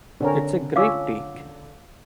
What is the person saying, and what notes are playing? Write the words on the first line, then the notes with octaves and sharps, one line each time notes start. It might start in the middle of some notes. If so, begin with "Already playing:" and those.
It's a great take.
D3 C4 C#4 A#4
C#4 F4 F5 D6 E6